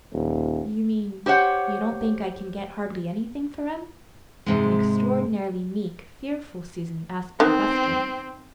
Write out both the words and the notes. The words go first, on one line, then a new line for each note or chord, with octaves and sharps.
"You mean--you don't think I can get hardly anything for 'em?" An extraordinarily meek, fearful Susan asked the question.
D#1
G4 C5 C#5 F#5
G#2 C3 G#3
D#3 B3 C4